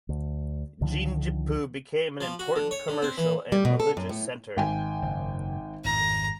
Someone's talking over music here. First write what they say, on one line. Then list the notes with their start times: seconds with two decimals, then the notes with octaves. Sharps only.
Jinjipu became an important commercial and religious center.
0.09 D2
0.81 C#2 D3 D#3 F3
2.21 F3
2.39 F#4
2.56 D3
2.71 C#5
2.88 D3
3.02 C4
3.18 E3
3.52 G3
3.65 B2
3.80 A4
3.97 F#2
4.09 A2
4.57 G#1 G5 G#5
5.02 F#1
5.85 G#1 F2 A2 A#5